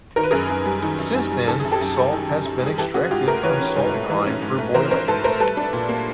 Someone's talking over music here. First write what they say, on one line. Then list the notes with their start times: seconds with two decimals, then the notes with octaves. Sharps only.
Since then salt has been extracted from salt brine through boiling.
0.16 D#3 A#4
0.23 B4
0.31 F#2 G#4 A#4
0.50 F#2
0.65 G3
0.82 D#3
0.99 F#2
1.15 F#2
1.32 G3
1.48 D#3 A4
1.60 F#2 G#4
1.71 G4 A4
1.81 F#2
1.97 G3
2.13 D#3
2.29 F#2
2.45 F#2
2.62 G3 G#4
2.78 E3 G4 A4
2.94 C#4 F#4 G#4
3.11 G#2 F4 G4
3.28 A3 G#4 A#4
3.43 E3 B4 C#5
3.60 C#4
3.76 G#2
3.94 A3
4.10 E3
4.26 C#4
4.42 G#2
4.58 A3
4.74 E3 A#4 C5
4.91 C#4 A#4 C5
5.08 G#2 A4 B4
5.24 A3 A#4 C5
5.40 G3 A4 B4
5.57 D4
5.73 A#2
5.89 A#3